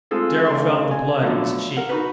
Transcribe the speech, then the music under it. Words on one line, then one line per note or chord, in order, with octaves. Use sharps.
Darrow felt the blood in his cheek.
G#3 C4 F4 G#4 A4
C#3 A3 D4 C6
G#5
B2 D3 F3 F#3 A3
A#4 F#5
D#4 F#4 B4